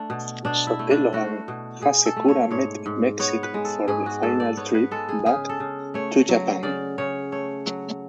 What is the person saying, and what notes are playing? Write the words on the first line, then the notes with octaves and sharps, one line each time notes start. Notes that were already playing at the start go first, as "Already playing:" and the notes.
Sotelo and Hasekura met in Mexico for the final trip back to Japan.
Already playing: A3 D4
B2
B2 D4
E4
A3
D4
A3 F#4
B2
B2 G#4
A4
A3
C#5
G#2 C#5
G#2
B3 C#5
B4
G#3
A4
G#2 G#4
F#4
G#2 A4
D5
B3 C#5
B4
G#3 A4
G#4
C#3 G#4
A4
C#3
A3 C#5
F#3
C#3 D5
C#3 C#5
A3 C#5
F#3